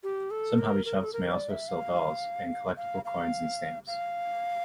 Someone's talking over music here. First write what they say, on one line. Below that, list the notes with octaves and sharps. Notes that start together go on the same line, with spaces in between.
Some hobby shops may also sell dolls, and collectible coins and stamps.
G4
A4
A#4
A#4
A4
A#4
D5
E5
F5
F5
F5
F5